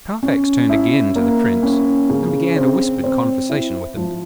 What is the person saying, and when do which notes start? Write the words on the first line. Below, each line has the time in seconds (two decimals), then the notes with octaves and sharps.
Carfax turned again to the Prince, and began a whispered conversation with him.
0.23 C#4
0.69 E4
1.16 A#3
1.63 C#4
2.10 C#3
2.56 C4
3.04 C4
3.49 E4
3.97 F3